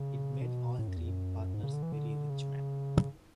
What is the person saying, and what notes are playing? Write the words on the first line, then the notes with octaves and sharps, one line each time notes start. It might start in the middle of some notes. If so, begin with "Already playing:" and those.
It made all three partners very rich men.
Already playing: C#3
B2
A2
F#2
E2
F#2
G#2
C#3
D3
E3
D3
C#3